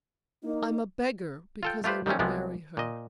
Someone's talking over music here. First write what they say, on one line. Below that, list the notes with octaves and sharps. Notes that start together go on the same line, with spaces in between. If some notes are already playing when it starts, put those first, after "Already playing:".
I'm a beggar because I would marry her.
A#3 D#4
F4 A4 G5
A3 F4 G4 B4 C5
D#3 G3 A3 C4 C#4
C2 C3 F3 G#3 B3 C4
A#2 D#5